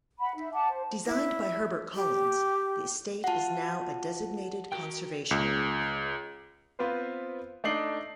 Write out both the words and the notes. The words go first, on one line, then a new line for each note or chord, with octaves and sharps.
Designed by Herbert Collins, the estate is now a designated conservation area.
F#5 B5
D#4 E5
E5 F#5 A5 D6
C5
E4
G4
F4 F#4 F#5 A5
F#4 A#4 G5
C#2
B3 C4 F4 B4 C5
A3 D4 D#4 D5 C7 F#7